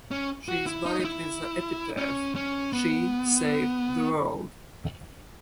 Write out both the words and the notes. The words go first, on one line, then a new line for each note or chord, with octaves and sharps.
She is buried with the epitaph, She saved the world.
C#4
F#4
E4
D#4
D#4
E4
C#4
C#4
B3